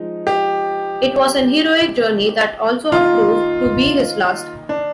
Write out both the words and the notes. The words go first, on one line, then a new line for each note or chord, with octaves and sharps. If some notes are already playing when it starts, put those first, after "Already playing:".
It was an heroic journey that also proved to be his last.
Already playing: F3 G#3 D#4
G4
D#3 A#3 D#4 F4
D4